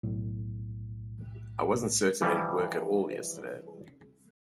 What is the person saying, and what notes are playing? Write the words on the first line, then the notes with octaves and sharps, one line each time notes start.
I wasn't certain it'd work at all yesterday.
B1 A2
E3 F3 G3